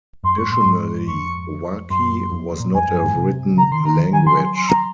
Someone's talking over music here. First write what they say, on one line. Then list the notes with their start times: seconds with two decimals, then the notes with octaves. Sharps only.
Traditionally Wakhi was not a written language.
0.24 F#2 C6
0.37 G#2 C#6
0.52 A#2 C6
0.66 G#2
1.07 F2 C#6
1.90 F#2 C6
2.32 F2
2.60 A#2
2.74 F2 G#5
2.88 F#2
3.02 G#2
3.16 C3
3.57 C#3 A#5
3.71 D#3 C6
3.85 D#3 A#5
4.13 D#3 G#5
4.26 F3 C6
4.40 F#3
4.54 C6
4.69 A#5